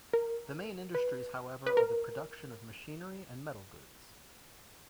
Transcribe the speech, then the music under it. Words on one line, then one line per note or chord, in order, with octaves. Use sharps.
The main industries, however, are the production of machinery and metal goods.
A#4
B4
B4
A#4